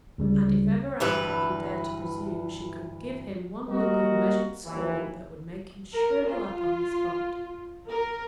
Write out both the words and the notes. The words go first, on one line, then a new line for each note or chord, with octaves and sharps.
And if ever after he dared to presume she could give him one look of measured scorn that would make him shrivel up on the spot.
C#2 C#3 G3
D2 G2 E3 B4
G3 A#3 F#4 A#4 D#5
D#2 E3
A#4
F4
A#4